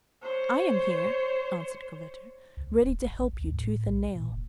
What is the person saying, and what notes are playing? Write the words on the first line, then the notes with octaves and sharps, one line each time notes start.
"I am here," answered Corvetto, "ready to help you tooth and nail."
C5 C#5
C#2
D1
G#1
A1
D2
A2
B1
A#2
F1